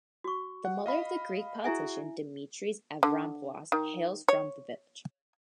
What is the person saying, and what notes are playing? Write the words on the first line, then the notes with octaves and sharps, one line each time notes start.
The mother of the Greek politician Dimitris Avramopoulos hails from the village.
F#4 C#6
F#5
D#5 F5 B5
E4 F#4 G#4 E5 G#5
D3
D#3
C#5